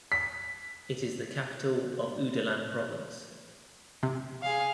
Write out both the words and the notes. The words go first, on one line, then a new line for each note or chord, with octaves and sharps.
It is the capital of Oudalan Province.
B6
C3
G#4 F5